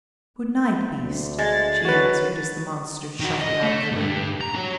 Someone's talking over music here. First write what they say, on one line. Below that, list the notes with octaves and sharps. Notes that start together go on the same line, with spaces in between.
"Good night, beast," she answered, as the monster shuffled out of the room.
D2
G#3 A6
F#3 F#4 B4
D#3 F#4
D#5
A3
C#2 G2
A#5
F#4 C#5